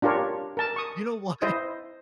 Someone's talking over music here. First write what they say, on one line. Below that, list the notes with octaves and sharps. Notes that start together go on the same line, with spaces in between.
You know what?
D4 F4 G4 A#4 C#5
A#4 A5
C#6 D#6
E4 C5 D#5